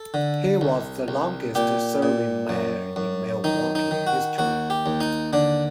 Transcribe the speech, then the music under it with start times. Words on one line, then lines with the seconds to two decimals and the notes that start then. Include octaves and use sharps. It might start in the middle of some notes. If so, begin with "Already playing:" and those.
He was the longest serving mayor in Milwaukee history.
Already playing: A4
0.14 D3
0.61 C2
1.08 C2
1.55 A#2 G4
2.03 A#2
2.49 F#2
2.96 F#2
3.44 D#3 D#4
3.75 D#4
3.91 D#3
4.07 F#4
4.38 D#2 F#4
4.70 G4
4.86 D#2
5.00 D#4
5.33 D3 D4